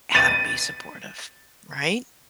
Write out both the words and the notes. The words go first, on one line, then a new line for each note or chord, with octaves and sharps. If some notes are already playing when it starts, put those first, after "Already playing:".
how to be supportive, right?
A6 D#7